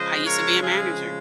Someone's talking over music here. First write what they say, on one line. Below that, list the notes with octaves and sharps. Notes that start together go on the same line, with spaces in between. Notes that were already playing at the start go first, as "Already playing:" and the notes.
I used to be a manager,
Already playing: C#3 F3 G#3 C5 D#5
A#4 C#5
F4 G#4